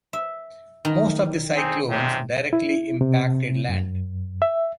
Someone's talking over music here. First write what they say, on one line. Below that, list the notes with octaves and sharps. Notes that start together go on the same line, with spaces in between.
Most of the cyclones directly impacted land.
E5
D#3
C4 D#4 G#4
C#2 G#2 C3
E4
C3
F#2
E5